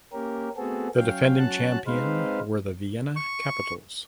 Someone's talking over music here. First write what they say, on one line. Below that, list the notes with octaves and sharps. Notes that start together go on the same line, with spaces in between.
The defending champion were the Vienna Capitals.
A#3 C#4 G4 A#4
A3 B3 C4 F#4 G#4 A4
F#3 C#4 F5 G5
F#3 C#4 F#4 A5 F#6
G#3 C4 D#4 B4 C5 F5
C#6